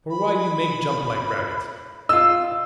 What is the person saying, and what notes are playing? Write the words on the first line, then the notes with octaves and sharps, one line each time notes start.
For why you make jumps like rabbits!
B5
F4 D#5 E6